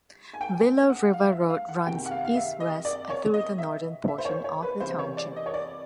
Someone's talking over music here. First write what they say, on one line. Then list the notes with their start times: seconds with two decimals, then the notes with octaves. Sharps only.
Willow River Road runs east-west through the northern portion of the township.
0.34 G#5
0.41 G5
0.89 F#5
1.13 F5
1.32 E5
1.50 F5
1.68 F#5
1.86 C3 D#3 G3 G5
2.06 F#5
2.11 F5
2.25 F5
2.35 E5
2.60 D#5
2.85 D5
3.10 C#5
3.34 D#5
3.58 E5
4.08 E5
4.18 C5
4.25 C#5
4.44 C#5
4.62 B4
4.80 C3 E3 G3 C5
4.98 C#5
5.17 D5
5.36 D#5
5.46 C#5
5.54 D5